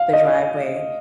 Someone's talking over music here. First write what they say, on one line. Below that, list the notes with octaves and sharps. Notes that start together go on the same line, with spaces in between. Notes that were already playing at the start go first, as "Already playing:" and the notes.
the driveway,
Already playing: F5
D#5